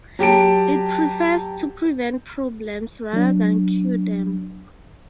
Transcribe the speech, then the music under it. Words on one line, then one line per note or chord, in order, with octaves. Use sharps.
It prefers to prevent problems rather than cure them.
F#3 G4 A5 D7
F#3 D4